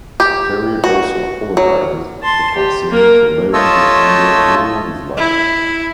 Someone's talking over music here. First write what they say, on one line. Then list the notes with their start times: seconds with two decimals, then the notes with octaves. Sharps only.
Terry also apologizes to Francine for letting his anger rule his life.
0.20 G4
0.84 F#4
1.57 F#3
2.23 A5 C6
2.54 G4
2.90 A#3 A#4
3.53 A3 F4 C#5 D#5 A5 E6
5.17 E4